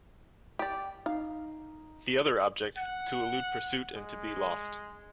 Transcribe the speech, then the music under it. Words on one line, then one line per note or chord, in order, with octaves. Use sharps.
The other object, to elude pursuit and to be lost.
G4 D5
D#4 F5
F#5
G#3